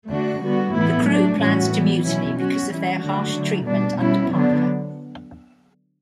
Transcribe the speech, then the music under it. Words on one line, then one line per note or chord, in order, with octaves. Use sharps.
The crew plans to mutiny because of their harsh treatment under Parker.
D3 A3 D4 F#4
D3 G3 B3 F#4
A2 E3 B3 E4
F#3 A3 D4
A2 E3 G3 C#4 F#4
E3 G3 B3
B2 F#3 C#4 E4
F#3 C#4 F#4
E3 G3 C#4 E4
D3 F#3 A3 D4 F#4
D3 F#3 A3
B2 G3 D4
B2 G3 C#4 E4
D3 F#3 B3 D4